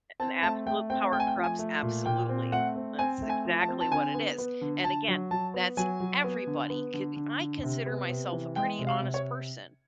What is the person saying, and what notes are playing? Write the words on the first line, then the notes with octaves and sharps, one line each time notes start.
and absolute power corrupts absolutely. That's exactly what it is, and again, that's everybody, c I consider myself a pretty honest person,
C4 A5
A3 A5
A3 G5
C4 G5
A3 G5
G#5
G5
F3
G#5
A3
A#2
A#2 G5
C4
A3 F#5
C4
C4 G#5
A3
G#5
F3
A5
C4
A5
D3 G#5
B3
B3
D3
D3 A5
F#3
F#3 A5
B3
F#3 G#5
F#3
B3
D3
B3
D3
D3
D3
C3
B3
C3
E3
G#3 G5
C3
F5
C3
C#5